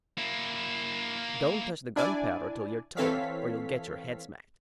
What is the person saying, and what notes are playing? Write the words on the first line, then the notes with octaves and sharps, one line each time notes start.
"Don't touch the gunpowder till you're told, or you'll get your head smacked."
A#3 E4
D4 E4 D5 G#5
E3 C4 A4 C#5 F5 B6